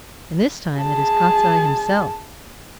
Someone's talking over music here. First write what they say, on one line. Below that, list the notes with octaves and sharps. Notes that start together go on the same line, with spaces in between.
'And this time it is Kostiei himself.
G#4 A5